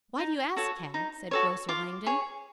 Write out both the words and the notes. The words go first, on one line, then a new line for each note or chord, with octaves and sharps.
"Why do you ask, Tad?" said Grocer Langdon.
D#4
F#4 A4 C#5
D#4
F#4 A4 C#5
F4 D6
G#4 C#5